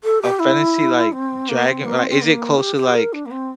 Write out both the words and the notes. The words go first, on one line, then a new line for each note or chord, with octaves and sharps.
a fantasy, like, dragon or, like, is it close to, like,
A4
G4
E4
C4
A#3
C4
A#3
C4
C4
A#3
G4
G4
A#4
D4
A#3
C4